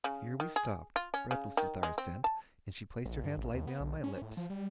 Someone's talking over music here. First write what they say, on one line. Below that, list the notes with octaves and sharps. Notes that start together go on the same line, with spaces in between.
Here we stopped, breathless with our ascent, and she placed her hand lightly on my lips.
C#3
D#3
G#4
F4
C#4
C#3
D#3
G#3
C4
A5
A#1
G2
A1
D#2
B3
B1
C#4
A2
F3
G3